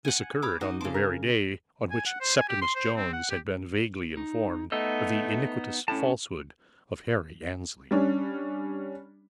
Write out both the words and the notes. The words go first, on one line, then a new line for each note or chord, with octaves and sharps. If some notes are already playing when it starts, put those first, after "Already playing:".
This occurred on the very day on which Septimus Jones had been vaguely informed of the iniquitous falsehood of Harry Annesley.
F#5 G#5
C#5 B5 D6 D#6
D#4 F#4 D#5 D6
C#3 A5 C6 D6
A#4
G#5
F#5
C5
G#5
G4
C6
C5
C4
F#5
G4
D#4
A3 B3 D#4 D#5 E6
A2 C#4 A5
G3 C#4 D4